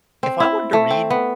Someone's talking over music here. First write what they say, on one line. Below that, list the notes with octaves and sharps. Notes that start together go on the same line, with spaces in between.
If I wanted to read,
C4
E4
A3
C4
B3